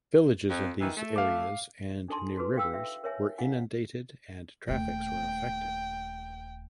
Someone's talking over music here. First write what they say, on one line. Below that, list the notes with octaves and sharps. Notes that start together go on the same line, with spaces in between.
Villages in these areas and near rivers were inundated and traffics were affected.
F2
D#3 E3
A3
F5 D6
D4 D#4 A4 G#5 A5 C6
E4 F#4 G#4 A4 B4
F5 G5 E6
E5
A#4 C#5 E5 G#5
E4 F5 F#5 G#5
D#1 A3 G5